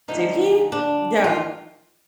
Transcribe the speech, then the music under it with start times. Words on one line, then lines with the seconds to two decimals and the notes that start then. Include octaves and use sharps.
Did he? Yeah.
0.08 D2 D3 F3 D#4
0.72 D4
1.24 F4